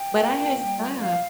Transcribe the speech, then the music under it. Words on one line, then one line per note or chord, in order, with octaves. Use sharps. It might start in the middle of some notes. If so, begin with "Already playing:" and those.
But I had stop.
Already playing: G5
A#2
A#3
G3
A#2
F3 F5